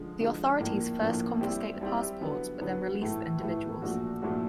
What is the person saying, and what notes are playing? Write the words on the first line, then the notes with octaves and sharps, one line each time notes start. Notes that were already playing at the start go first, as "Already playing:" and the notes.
The authorities first confiscate the passports but then release the individuals.
Already playing: D3 F3 G#3
D3 F3 G#3
A2 F3 A#3 D4
A2 F3 A#3 D4
G3 C4 E4 G4
G3 C4 E4 G4
D3 F#3 B3
D3 F#3 B3
A2 E3 A3
A2 E3 A3
A#2 F3 A3 D4 F#4
A#2 F3 A3 D4 F#4